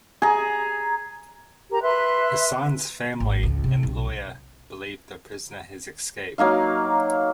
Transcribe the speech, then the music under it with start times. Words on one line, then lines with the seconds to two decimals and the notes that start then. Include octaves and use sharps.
Hassan's family and lawyer believe the prisoner has escaped.
0.22 G#4 A#5
1.71 G4 A#4 A#5
1.83 B4 E5 C6 F#6
3.20 G#1
3.43 C#2
3.64 C3
3.83 B1
6.38 F#3 A#3 D#4 F5